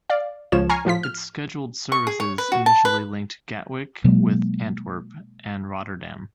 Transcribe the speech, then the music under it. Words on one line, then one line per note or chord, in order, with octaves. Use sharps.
Its scheduled services initially linked Gatwick with Antwerp and Rotterdam.
D5 F5
C#2 F3 C#5 E7
G#5 A#5 C#6 F6 C7
A2 F3 F4 B6
F6
C#6
G#4
C#5
B4
F#4
A5
B4
B2 F#3 G#3 A#3